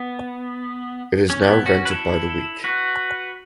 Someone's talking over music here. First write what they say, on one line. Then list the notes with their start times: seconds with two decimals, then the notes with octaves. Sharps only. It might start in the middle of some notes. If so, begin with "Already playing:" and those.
It is now rented by the week.
Already playing: B3
1.30 C#4
1.42 B3 E4
1.66 C#4 F#4
1.85 B4
1.90 E4 A4
2.64 F#4 B4